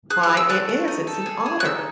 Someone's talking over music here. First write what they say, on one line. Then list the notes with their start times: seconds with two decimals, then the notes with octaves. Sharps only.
why it is, it's an otter."
0.10 G#4 F#6
0.23 F#6
0.29 G#4
0.37 E6
0.49 A3 F#6
0.69 A3
0.88 D#4
1.07 A4
1.26 G#4
1.46 G#4
1.60 F#6
1.65 D#4 E6